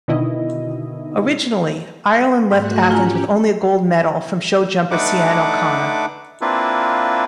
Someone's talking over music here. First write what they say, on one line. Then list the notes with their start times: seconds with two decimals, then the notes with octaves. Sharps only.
Originally, Ireland left Athens with only a gold medal from show jumper Cian O'Connor.
0.08 B2 D3 D#3 E4 D#5
2.51 G#2 A3 F#4 F#6
2.91 C#4 F4 G4 G#5 A#5
4.91 A3 D4 D#4 B4 F#5 D6
6.41 A#3 C4 D4 E4 F4 B4